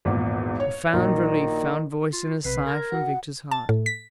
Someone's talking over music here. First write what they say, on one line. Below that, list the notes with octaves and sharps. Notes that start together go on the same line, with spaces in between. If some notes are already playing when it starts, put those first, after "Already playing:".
Profound relief found voice in a sigh from Victor's heart.
G#1 E2 A#2
C#5
A#1 D#3 F#3
F4
B1 C3 B4 C7
A#4 C6 G#6 A6
F#4 F#5
A5
A2
B6